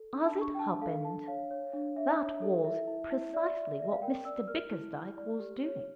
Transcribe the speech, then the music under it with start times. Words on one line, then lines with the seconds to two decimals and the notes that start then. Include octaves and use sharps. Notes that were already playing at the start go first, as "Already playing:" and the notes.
As it happened, that was precisely what Mr Bickersdyke was doing.
Already playing: A4
0.13 D4
0.25 A5
0.36 D4
0.41 C#6
0.55 G5
0.59 D4 A5
0.82 A4 F5
1.05 D4 A5
1.27 C#5 F5
1.51 C#5
1.73 D4
1.96 D4 E5
2.19 C#5
2.42 A4
2.65 E4 E5
2.87 E4
3.11 E4
3.33 D5 E5
3.57 D5
3.80 D5 E5
3.92 F5
4.02 A#4 G5
4.25 D5 E6
4.48 A#4 F6
4.71 E4
4.95 E4
5.17 D5
5.39 G4
5.63 C#5